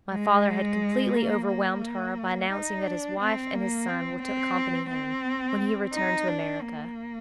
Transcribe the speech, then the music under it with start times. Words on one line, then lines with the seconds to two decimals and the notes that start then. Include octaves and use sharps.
My father had completely overwhelmed her by announcing that his wife and his son were to accompany him, when he returned to America.
0.12 G#3
1.15 A#3
1.49 A#3
2.51 D#4
2.86 D4
3.20 C4
3.54 A#3
3.88 C4
4.23 C4
4.91 C4
5.93 D#4
6.27 D4
6.61 A#3